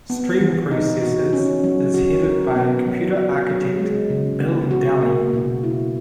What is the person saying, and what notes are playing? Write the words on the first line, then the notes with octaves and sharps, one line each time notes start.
Stream Processors is headed by computer architect Bill Dally.
B3
E3
D#4
F#4
C#4
F#3
F#4
A#4
B3
F#3
F#4
F#3
G#3
C#3
B3
F#4
A#3
B2
E4